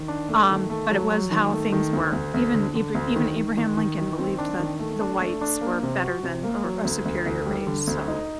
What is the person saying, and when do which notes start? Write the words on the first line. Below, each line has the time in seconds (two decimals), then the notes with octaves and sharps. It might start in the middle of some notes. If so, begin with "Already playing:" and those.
Um, but it was how things were. Even eve even Abraham Lincoln believed that the whites were better than or a superior race, so.
Already playing: D#3
0.08 D4
0.29 A3
0.50 D#3
0.69 A3
0.91 F#3
1.11 F#3
1.31 D#3
1.52 A3
1.72 D#3
1.93 D2
2.13 D2
2.34 D2
2.54 D3
2.75 D3
2.95 D2
3.16 D#3
3.37 D#3
3.57 D#3
3.77 D#3
3.98 D#3
4.18 C4
4.38 D4
4.59 D#3
4.79 A3
5.00 D4
5.20 A3
5.41 D4
5.61 A#3
5.83 C3
6.03 F#4
6.23 C3
6.43 A#3
6.64 F#3
6.85 D2
7.05 D2
7.26 D2
7.46 G3
7.67 D3
7.87 D2
8.08 D#4